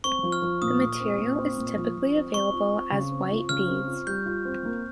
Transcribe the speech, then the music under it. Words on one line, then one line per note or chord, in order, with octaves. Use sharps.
The material is typically available as white beads.
C4 C#6
F3
F6
F3
A#2 D#6
A#2
C4
A#2
C4
A#2
F3
F3
C4
C4 C#6
F4
C4
C#3
C4
F4
C#3 F6
C4
F4
G3 G6
F4
C4
A#3